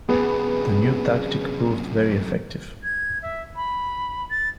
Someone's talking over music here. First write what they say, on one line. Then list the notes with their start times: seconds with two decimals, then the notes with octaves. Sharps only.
The new tactic proved very effective.
0.09 F#2 C3 B3 G#4
2.83 G#6
3.22 E5
3.56 B5
4.30 A6